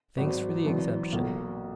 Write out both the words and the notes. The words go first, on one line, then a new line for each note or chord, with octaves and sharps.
Thanks for the exemption.
G#1 G#2 F#3
G#1 F#2 E3
B1 A#2 A#3